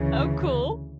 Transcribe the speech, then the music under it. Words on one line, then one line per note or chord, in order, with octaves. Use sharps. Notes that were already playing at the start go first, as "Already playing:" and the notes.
Oh, cool.
Already playing: D2 C#3 E3